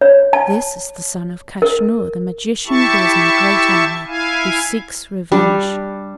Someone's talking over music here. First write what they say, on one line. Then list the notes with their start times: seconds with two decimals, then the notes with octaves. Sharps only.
This is the son of Kaschnur, the magician, who is my great enemy, who seeks revenge.
0.01 C#5
0.33 A5
1.62 A#4
2.67 E4 G4 E5 A5 C#6
4.07 E4 F5 G#5
5.32 G3 D4